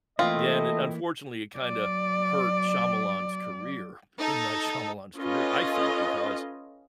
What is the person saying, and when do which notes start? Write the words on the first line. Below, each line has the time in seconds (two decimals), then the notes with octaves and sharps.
Yeah, and it unfortunately, it kinda hurt Shyamalan's career M. Night Shyamalan's career- I think- because
0.19 E3 A3 A#3 C4 E4 F4 D#5
1.58 F#3 D5
4.19 D#4 A4
5.17 C#4 F4 A4 B4 D#5